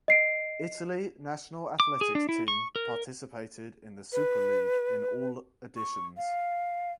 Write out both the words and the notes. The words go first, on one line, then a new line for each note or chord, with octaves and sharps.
Italy national athletics team participated in the Super League in all editions.
D#5 C7 D7
D6
G#4
D4
E4
C#6
A#4
B4
C#6
F5